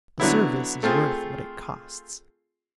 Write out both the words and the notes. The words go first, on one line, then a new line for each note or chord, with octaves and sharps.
A service is worth what it costs.
D3 F#3 B3 E4
A3 C4 F4 G#4